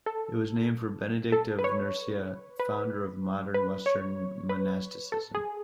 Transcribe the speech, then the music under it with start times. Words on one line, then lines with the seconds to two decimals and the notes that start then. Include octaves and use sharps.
It was named for Benedict of Nursia, founder of modern western monasticism.
0.06 A4
1.32 A4
1.59 B4
1.64 C#5
2.60 B4
3.54 B4
3.86 C#5
4.49 B4
5.12 A4
5.35 G#4